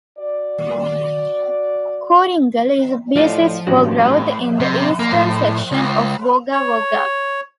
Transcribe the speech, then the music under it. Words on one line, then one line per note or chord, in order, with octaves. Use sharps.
Kooringal is the basis for growth in the eastern section of Wagga Wagga.
F#4 D5
A2 F3 F4 D5 D#5 C6
A1 G2 F#4
A2
C3
A#3
A2
C#2
C#5